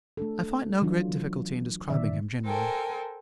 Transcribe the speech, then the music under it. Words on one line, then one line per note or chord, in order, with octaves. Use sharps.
I find no great difficulty in describing him, generally.
A3 D4 A4
E3 F#3 D4 F4
A#2 D3 D#3 B3 D5 E5
A4 A#4 C5 G5 G#5